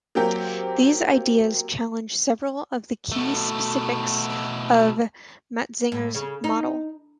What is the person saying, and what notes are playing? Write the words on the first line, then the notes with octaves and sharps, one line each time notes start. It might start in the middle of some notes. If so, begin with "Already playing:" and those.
These ideas challenge several of the key specifics of Matzinger's model.
F#3 A#3 C4 G4
B2 A3
A2
C#3
D#4